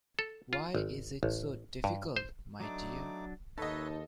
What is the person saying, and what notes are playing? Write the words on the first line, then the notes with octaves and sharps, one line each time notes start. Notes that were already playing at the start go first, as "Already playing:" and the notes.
Why is it so difficult, my dear?
A4
F4
G#1
A1
G2
C5
F#3 A3 D4 D#4 D6
D#2 D#4 A4 B4 C#5 D#5 E5